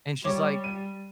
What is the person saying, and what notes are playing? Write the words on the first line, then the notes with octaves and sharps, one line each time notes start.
And she's, like,
G3 C#5 D6
D#7